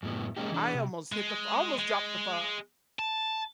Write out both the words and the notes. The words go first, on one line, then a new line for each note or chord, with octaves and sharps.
I almost hit the fl I almost dropped the phone.
F#2 A2 B3
G#3 A#3 C#4 D#4 G4
E3 D4
C3
G#3
G#3
A5